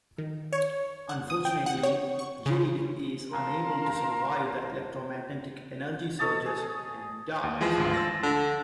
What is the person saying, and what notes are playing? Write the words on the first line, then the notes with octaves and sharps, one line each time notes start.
Unfortunately, Jade is unable to survive the electromagnetic energy surges and dies.
D#3
C#5
F#5
D#6
G5
F#5
C#5
C#6
C#3
A#4 F5 A5 C6
A4 C#5 D#5 A5
G#4
D#2
E3 F3 G#3 G#4
G#1 D2 C6
E6 A6 A#6
D3